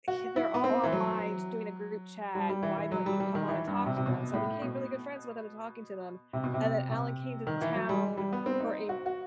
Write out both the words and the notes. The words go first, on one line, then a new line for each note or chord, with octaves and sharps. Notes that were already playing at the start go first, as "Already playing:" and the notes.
he they're all online doing a group chat, why don't you come on and talk to them?" So I became really good friends with them, talking to them, and then Alan came to town for a
F#4
E4
B3
C4
E3
F#3
G3
G3
E3
E3
F#3
G3
G3
D#3
E3
G2
C3
C3
B2
A2
B2
C3
B2
C3
C3
D#3
E3
F#3
G3
G3
B3
C4
D#4
F#4
F#4